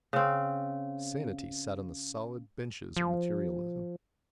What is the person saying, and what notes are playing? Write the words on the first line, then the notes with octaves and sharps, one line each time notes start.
Sanity sat on the solid benches of materialism.
C#3 C4
F3